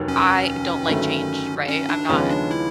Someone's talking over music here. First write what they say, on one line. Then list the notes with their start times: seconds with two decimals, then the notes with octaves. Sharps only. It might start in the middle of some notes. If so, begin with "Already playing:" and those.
I don't like change, right? I'm not
Already playing: F1 D#2 D#3 F#3
0.08 C#4
0.86 G1 G2 D#3 F#3 A3
1.68 C#4
1.89 D4
2.09 D#2 C#3 F3 G#3 B3 C#4
2.30 D4
2.51 E4